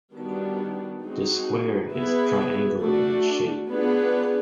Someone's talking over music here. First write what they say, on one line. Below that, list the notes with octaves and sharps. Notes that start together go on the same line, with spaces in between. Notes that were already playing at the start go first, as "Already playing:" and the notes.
The square is triangular in shape.
D#3 G3 B3 D4 F#4
G#3 C4 D#4 F#4
B3 E4 G#4 B4
A3 D4 F#4
B3 D4 F4 G#4 B4